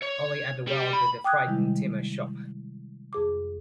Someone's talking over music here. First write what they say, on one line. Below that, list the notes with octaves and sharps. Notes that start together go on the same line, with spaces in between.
Only at the well did the frightened Timur stop.
C#5
G3
B5
G5 D6 D#6 F#6 G#6
C3 D#3 G3 G#3 E4
F2 G#4 D6